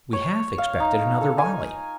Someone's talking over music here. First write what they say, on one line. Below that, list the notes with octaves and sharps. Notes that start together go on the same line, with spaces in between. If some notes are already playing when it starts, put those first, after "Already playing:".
We half expected another volley.
C#5
F5
D#4
A4
G#5